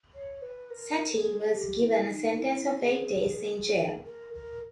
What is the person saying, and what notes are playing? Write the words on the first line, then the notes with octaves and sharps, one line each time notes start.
Satie was given a sentence of eight days in jail.
C#5
B4
A#4
G#4
G4
E4
D#4
E4
G#4
A#4
A#4